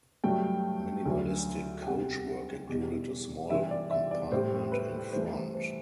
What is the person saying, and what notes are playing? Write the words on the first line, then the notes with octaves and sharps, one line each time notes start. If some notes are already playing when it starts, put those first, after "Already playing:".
Minimalistic coachwork included a small compartment in front.
G2 F#3 A3 G5
D2 D3 F#3
G5
E2 C3 G3 F#5
E2 B2 G3
G2 E3 G3 E5
D5
E5
D5
A2 G3 C5
B4
G2 E3 A3 C5
C5